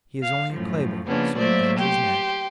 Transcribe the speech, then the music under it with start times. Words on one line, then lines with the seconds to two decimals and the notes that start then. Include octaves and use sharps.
He is only a clay-born; so he bends his neck.
0.22 F5
0.54 F#2 A2 F3
1.07 C#3 F3 A#3 B3 C#4 D4
1.39 F#3 A3 A#3 C5 D5 E5
1.79 G4 G5 C6